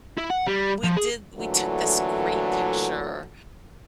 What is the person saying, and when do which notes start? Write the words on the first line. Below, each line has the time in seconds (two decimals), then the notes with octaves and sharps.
we did we took this great picture
0.18 E4
0.30 F#5
0.47 G3
0.83 F3
0.96 G#4
1.36 A#2 D3 E3 F#3 A3